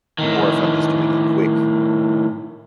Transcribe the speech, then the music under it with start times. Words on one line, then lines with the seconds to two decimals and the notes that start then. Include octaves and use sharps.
or if I'm just doing a quick
0.19 A2 D#3